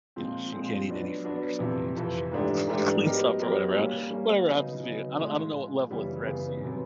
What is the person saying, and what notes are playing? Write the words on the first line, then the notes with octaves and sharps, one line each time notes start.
you know, she can't eat any food or something until she cl cleans up or whatever, uh, whatever happens to be I don't I don't know what level of threats you
A#2 F3 G#3 C4
A#2 F3 G#3 C4
F#3 B3 D4 F#4
F#3 B3 D4 F#4
F2 C3 E3
F2 C3 E3
G#2 E3 A3 D4 G4
G#2 E3 A3 D4 G4
F#3 B3 D#4 G4 A#4
F#3 B3 D#4 G4 A#4
G3 A#3 C#4
G3 A#3 C#4
C#3 F#3 B3 D#4
C#3 F#3 B3 D#4
A2 F3 G#3
A2 F3 G#3
F#2 C#3 E3 G3 B3
F#2 C#3 E3 G3 B3
C3 D#3 F#3 B3